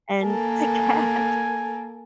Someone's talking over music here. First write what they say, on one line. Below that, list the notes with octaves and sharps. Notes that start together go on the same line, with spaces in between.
and the cat,
A#3 A4 A#4 G#5